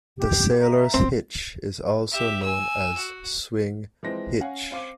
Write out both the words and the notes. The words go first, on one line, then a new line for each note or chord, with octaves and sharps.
The sailor's hitch is also known as swing hitch.
G4
E5 A#5
C4
G4 E5
G#5 E6
F#4
E3 F3 G#3 C4 A#6
C#4 F5 F#5 G#5
C4 F5 D6 D#7